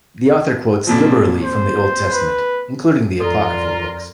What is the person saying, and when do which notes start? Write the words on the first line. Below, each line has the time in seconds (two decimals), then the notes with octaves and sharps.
The author quotes liberally from the Old Testament, including the apocryphal books.
0.87 F2 A#2 F3
1.43 C5
2.11 B4
3.20 F2 F4 A4 A#4 D5 C6